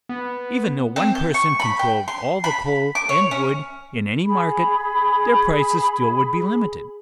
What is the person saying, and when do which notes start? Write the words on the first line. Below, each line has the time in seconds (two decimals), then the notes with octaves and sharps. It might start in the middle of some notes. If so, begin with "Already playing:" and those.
Even though one person controlled all the coal and wood in any market, their prices still would be limited.
0.09 B3
0.96 C4
1.15 G6
1.34 C#6
1.60 B5
1.79 G5
2.08 C6
2.44 B5
2.95 D6
3.09 C#5
3.31 C#4
4.27 G#4 B5